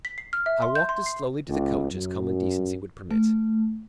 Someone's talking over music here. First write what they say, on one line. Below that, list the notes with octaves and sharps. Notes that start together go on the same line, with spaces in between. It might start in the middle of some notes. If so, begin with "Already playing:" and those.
I walked as slowly to the coach as common decency would permit.
B6
C7
F6
E5
C6
G6
C6
C7
C#2
F#2
A3